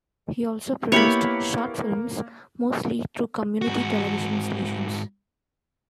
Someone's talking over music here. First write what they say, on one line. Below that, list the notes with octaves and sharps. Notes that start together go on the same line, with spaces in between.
He also produced short films, mostly through community television stations.
A#3 B3 E4 G4 C#5 B5 C#7
G#2 F#4